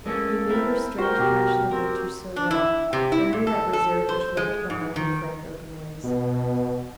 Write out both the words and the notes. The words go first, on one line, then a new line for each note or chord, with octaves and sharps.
He knew her strange, passionate nature so well, and knew that reserve which lurked behind her frank, open ways.
G#3 A#3 C#4 A4 D#5
C4 E4 A#4
F#4 A#4 C5 G5
B2 F#4 G4
C4 A#4
D4
E4
C3
E4
A#2
A4
A4
C5
G#3
G#2
D#3
B2